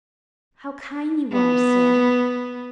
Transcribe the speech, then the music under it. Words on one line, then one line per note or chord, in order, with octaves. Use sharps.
"How kind you are, sir!"
B3